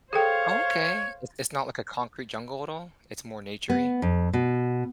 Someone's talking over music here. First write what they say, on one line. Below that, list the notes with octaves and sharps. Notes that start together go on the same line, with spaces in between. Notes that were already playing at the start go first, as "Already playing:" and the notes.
Okay. It's it's not, like, a concrete jungle at all. It's more naturey?
G#4 A4 C5 C#5 F5 G5
B3
F2
B2